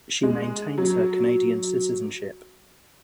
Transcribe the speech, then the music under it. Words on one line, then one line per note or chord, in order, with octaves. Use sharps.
She maintains her Canadian citizenship.
G#3
F#3